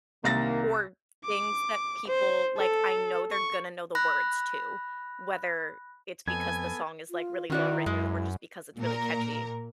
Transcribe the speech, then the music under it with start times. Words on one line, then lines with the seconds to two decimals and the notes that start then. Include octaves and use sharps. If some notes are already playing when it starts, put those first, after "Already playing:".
or things that people like, I know they're gonna know the words to, whether it's because the song is, like, really well-written, or just because it's really catchy,
0.24 C2 D#3 A#3 A6 A#6
1.24 D6
2.07 C5
2.57 A4
3.31 C#6
3.95 B5 F#6 A#6
6.28 F2 B3 A4 G#5 G#6
7.10 F4
7.50 D#3 C#4 E4 F#4 D5
7.86 F#2 G#3
8.78 A#2 A#4